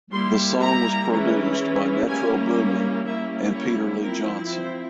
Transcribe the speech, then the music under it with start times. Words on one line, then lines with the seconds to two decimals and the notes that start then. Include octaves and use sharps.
The song was produced by Metro Boomin and Peter Lee Johnson.
0.12 G3 A#3 E4 C6
0.61 A#5
1.09 E3 G#3 C#4 E4
2.07 G3 A#3 C#4 E4 G#5
3.05 G3 A#3 C#4 E4 E5
3.54 C#5
4.03 F3 C4 E4 A#4
4.52 C5